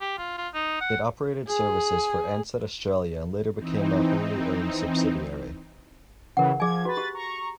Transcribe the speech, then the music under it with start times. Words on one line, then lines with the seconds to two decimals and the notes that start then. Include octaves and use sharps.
It operated services for Ansett Australia and later became a wholly owned subsidiary.
0.01 G4
0.18 F4
0.38 F4
0.54 D#4
0.81 F#5
1.48 G#4
3.57 E3 C4 D#4
6.37 C#3 E3 A#4 F#5
6.60 F3 G#4 G#5 G#6
6.85 F#4 B4 A6
6.97 G4
7.14 A#5 C#6